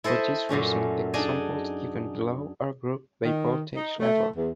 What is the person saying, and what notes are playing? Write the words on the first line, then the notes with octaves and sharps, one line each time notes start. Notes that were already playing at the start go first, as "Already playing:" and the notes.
For this reason the examples given below are grouped by voltage level.
E4 A4 C5 D#5 E5
F#2 A#2 A3 C#4
D4 D#4 G#4 A4 D#5 G#5
D#3
D#4
A3
E2